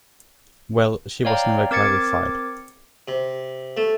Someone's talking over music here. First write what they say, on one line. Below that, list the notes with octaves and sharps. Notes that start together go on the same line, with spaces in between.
Well, she was never gratified.
C#5 D5 F5 G5 A#5
C4 A#4 D6 G#6 A6 C#7
C3
A3